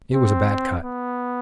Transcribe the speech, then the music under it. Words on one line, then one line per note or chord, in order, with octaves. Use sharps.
It was a bad cut.
C4
B3